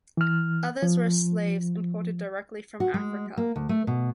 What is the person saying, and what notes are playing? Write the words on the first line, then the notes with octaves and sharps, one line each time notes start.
Others were slaves imported directly from Africa.
E3 F6
F3
F#4
G#3
A#3
D2
A3
B2